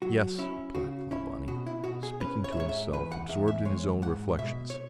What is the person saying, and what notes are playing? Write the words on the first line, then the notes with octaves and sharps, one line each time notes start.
"Yes!" replied Clawbonny, speaking to himself, absorbed in his own reflections.
F#3 F#4
C#4 E4
C#3 F#4
C#4 E4
B2 F#4
E4
B2 F#4
G#4
C#4 B4
C#5
E5
G#2 C#5
E5
E2 B4
F#5
E2 E5
E5
G#3 C#5
G#2 F#5
B2 E5
C#5